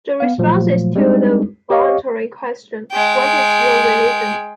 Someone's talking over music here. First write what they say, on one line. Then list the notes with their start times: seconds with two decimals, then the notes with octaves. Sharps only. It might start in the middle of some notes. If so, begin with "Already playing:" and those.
The responses to the voluntary question What is your religion?
0.20 B3 F5
0.38 A#2 F3 F#3 A3
0.96 G3 G#3 C4 D4 D#4
1.70 G4 C#5 D#5 F5 C#6
2.92 G#3 G5